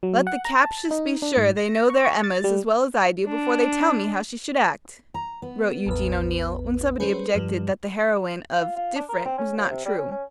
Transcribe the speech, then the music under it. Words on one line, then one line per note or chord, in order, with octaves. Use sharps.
"Let the captious be sure they know their Emmas as well as I do before they tell me how she would act," wrote Eugene O'Neill when somebody objected that the heroine of "Diff'rent" was not true.
F#3
F#5
A#5
A5
D#4
D4
G#2
A#6
C#6
C#6
A6
G3
D4
A#5
B3
A1 E2 B4
G3 C#4 G#4 B4 C5
G2 F3
F4
F4
D4
A#4
C4
C#4
D#2
C3
G3
C#4
C#4